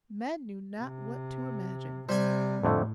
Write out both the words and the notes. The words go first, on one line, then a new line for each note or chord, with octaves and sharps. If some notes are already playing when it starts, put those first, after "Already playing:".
Men knew not what to imagine.
C3
C3 G3 C5 G#5
F2 A2 D3 A3